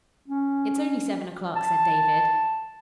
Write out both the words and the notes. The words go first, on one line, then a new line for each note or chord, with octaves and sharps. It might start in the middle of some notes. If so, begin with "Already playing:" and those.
"It's only seven o'clock," said David.
C#4
A5